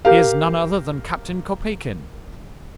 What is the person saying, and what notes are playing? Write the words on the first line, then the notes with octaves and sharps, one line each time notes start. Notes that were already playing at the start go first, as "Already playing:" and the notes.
"He is none other than Captain Kopeikin."
G4 A#4 F5